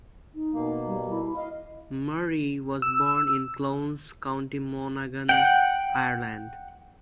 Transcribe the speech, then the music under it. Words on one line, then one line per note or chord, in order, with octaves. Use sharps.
Murray was born in Clones, County Monaghan, Ireland.
D#4
B2 A#3
G3
E4
D#5 F5
E6
F#5 G5